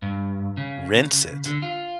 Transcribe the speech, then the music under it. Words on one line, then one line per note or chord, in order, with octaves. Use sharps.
Rinse it?
G2
C#3
D3
F4